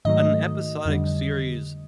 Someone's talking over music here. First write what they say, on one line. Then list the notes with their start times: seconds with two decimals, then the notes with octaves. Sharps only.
an episodic series
0.05 G#2 D#3 F#3 A3 D#5
0.85 F2 D3 G3